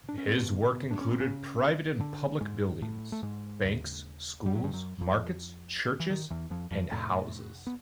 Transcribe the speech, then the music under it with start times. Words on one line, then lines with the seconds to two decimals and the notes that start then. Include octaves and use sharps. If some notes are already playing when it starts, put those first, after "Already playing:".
His work included private and public buildings: banks, schools, markets, churches and houses.
0.09 D4
0.18 C#4
0.27 C4
0.37 F#2 B2 D3 B3
0.64 B2 B3
0.91 D4
1.01 C#4
1.11 C4
1.20 C#3 C#4
2.00 D3 D4
2.41 G#2 G#3
2.82 A2 A3
3.12 A3
3.23 G#2 G#3
3.64 D#2 C#3
4.46 G3
4.56 F#3
4.63 G2 G3
4.73 F#2 F#3
5.01 F2 F3
6.00 E3
6.10 D#3
6.30 E2 E3
6.50 F2 F3
6.71 F2 F3
6.92 F2 A2 C3 A3
7.67 B3